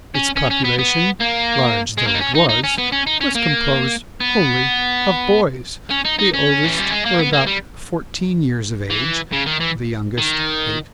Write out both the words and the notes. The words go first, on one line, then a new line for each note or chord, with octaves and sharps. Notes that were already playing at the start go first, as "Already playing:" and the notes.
Its population, large though it was, was composed wholly of boys. The oldest were about fourteen years of age, the youngest, eight.
C#4
C#4
C#4
B3
B3
A#3
G#3
A#3
D#4
C#4
D#4
D#4
C#4
B3
C#4
D#4
C#4
A#3
B3
C#4
D#4
D#4
C#4
E3
G3
G#3
A#3
B3
A#3
G3
E3
C#3
D#3
E3
D#3